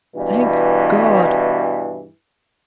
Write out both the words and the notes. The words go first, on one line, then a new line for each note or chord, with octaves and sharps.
Thank God!
G2 B2 E3